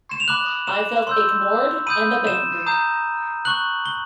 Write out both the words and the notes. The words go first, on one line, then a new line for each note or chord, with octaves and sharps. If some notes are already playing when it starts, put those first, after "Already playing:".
I felt ignored and abandoned.
E7
F7
B5 D6 F#6 F#7
E7
C6 E6 G6
B5 D#6 G6 D#7
E7
A#5 D#6 G6
C#6 F#6 F#7
G7